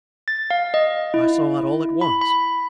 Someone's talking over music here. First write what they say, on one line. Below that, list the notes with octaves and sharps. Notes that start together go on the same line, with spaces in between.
I saw it all at once.
A6
F5
D#5
E4
B5
B5